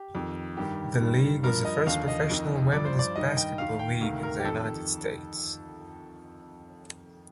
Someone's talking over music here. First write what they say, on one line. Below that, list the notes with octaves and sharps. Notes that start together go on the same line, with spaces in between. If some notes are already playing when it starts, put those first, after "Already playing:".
The league was the first professional women's basketball league in the United States.
Already playing: G4
F2 D#3
G2 D#3 G4
G2 D#3
G2 F3 A#4
D#5
D#2 D3 F3 F5
D#5
F2 D#3
G2 F3 D5
C5
D5
G2 D#3 D#5
G5
D#2 D#3 F5
G5
D2 C3 D#3 F5
A#4
G4
F2 D#3 A4